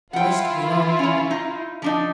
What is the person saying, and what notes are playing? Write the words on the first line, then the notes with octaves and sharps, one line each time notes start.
West groaned.
E4 F4 F#5 G5
C#4 C#5
D#4
F3 D4 D#4